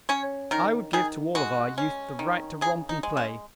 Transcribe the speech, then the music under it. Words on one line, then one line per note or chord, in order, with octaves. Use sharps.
I would give to all of our youth the right to romp and play.
C#4 C#5
D#3 A#4
D#3 G#4
G#3 F#4
C#4
D#3
C#3 G#4
D#4
G#3
C#4